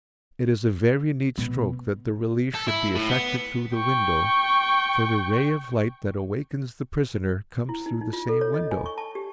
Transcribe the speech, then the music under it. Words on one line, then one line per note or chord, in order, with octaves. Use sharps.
It is a very neat stroke that the release should be effected through the window, for the ray of light that awakens the prisoner comes through the same window.
B2
A4
E4
A2
B3
G5 C#6
E4
D#4
D#4
F4
A4
C#5
D#5
G#5
C#6
A5
G4